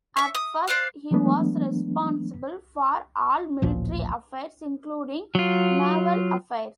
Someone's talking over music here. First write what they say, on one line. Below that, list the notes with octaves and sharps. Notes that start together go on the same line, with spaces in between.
At first, he was responsible for all military affairs, including naval affairs.
E5 C#6
D#6
C5 D5 F5 F#6
E3 F#3 G#3 A3 B3 D4
A1 D2 A#2 F3
F#3 F4